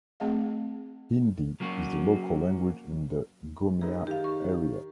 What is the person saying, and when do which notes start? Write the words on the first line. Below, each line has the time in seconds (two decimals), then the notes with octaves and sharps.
Hindi is the local language in the Gomia area.
0.20 A3 C4 G#4 D#5 F5
1.60 F#3 A#3 C#4 F#4
3.81 F#2 D#4 G#4 B4
4.07 D#3 G4 F5
4.24 C#6